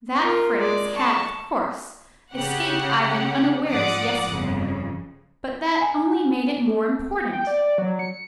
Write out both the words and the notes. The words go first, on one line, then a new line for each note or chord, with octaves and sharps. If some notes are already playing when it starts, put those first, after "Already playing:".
That phrase had, of course, escaped Ivan unawares yesterday, but that only made it more important.
F4 A#4
G#3 D5
A5 C#6
C#3 G4 F#5
G#2 F3 D5 F#5 D6 D#6
G1 F2 C#3
G#5
A4
G5
D5
F#3
C#7